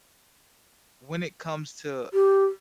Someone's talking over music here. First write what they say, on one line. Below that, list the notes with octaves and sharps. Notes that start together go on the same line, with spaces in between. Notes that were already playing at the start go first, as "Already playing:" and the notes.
when it comes to
G4